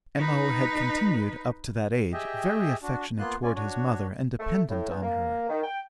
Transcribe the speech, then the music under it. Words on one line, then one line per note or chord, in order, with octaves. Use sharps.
M.O. had continued up to that age very affectionate toward his mother and dependent on her.
D#4 B4
G4 G#4 D#5 E5 G5
D4 F#4
A#3 B3 F4 C6 F#6
C#4 F4 D5 G#5
D4 F#4 C#5
A3
A2
E2
A#3
D#3
G5